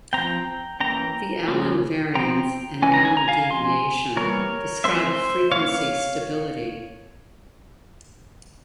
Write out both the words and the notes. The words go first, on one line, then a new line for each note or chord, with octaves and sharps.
The Allan variance and Allan deviation describe frequency stability.
F3 C4 G5 A#5
E3 A#3 C#4 G5 A#5
C#3 F3 A#3 C#4
F3 C4 G5 A#5
C#3 E3 G#3 C#4 G#5
A#5
G#5
A#5
F5 G#5
F3 G#3 C#4 G#5 C6
E3 G3 A#3 A#4 C#5
F3 G#3 C4 C5 E5
E3 A#3 C#4 C#5 F5